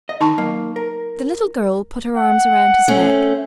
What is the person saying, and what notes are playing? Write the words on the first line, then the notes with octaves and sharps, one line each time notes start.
The little girl put her arms around his neck.
D#5
D#3 D#4 A5 C#6
F#3 A#3
A#4
F#5
A3 C4 C#4